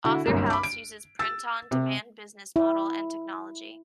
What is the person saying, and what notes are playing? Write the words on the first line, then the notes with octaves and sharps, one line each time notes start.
AuthorHouse uses print-on-demand business model and technology.
D3 E4 F#4
G1 C2 F#2 A#3
B5 D6
D7
E6 A6
C3
E4